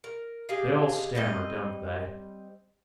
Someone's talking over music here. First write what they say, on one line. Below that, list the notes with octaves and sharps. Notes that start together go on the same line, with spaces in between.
"They all stammer, don't they?"
A#4
G4 G#4 D#5 F5
G3 C4 D#5